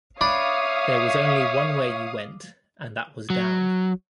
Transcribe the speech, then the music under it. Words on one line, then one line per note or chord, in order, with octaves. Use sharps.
There was only one way you went and that was down.
D4 C#5 E5 F5 B5 D#6
F#3